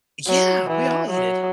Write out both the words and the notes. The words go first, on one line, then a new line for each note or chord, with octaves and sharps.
Yeah, we all eat it
F#3
E3
F#3